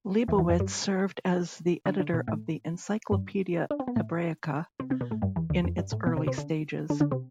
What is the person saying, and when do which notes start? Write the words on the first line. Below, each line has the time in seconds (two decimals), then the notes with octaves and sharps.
Leibowitz served as the editor of the "Encyclopaedia Hebraica" in its early stages.
0.28 E2 E3
0.38 E2 E3
0.50 F2 F3
0.60 G2 G3
1.86 D3 D4
2.00 D3 D4
2.13 B2 B3
2.28 A2 A3
3.12 G2 G3
3.71 D4
3.80 C4
3.88 B3
3.96 A2 A3
4.80 C3 C4
4.90 C3 C4
5.01 B2 B3
5.11 A2 A3
5.22 G2 G3
5.36 E2 E3
5.50 D2 D3
5.64 F2 F3
5.78 G2 G3
5.92 A2 A3
6.06 B2 B3
6.17 C3 C4
6.27 C3 C4
6.38 D3 D4
6.90 D3 D4
7.00 D3 D4
7.11 C3 C4